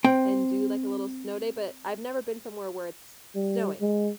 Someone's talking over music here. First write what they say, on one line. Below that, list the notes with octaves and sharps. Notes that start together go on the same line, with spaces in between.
and do, like, a little snow day, but I've never been somewhere where it's snowing.
C4 G5
G3
G#3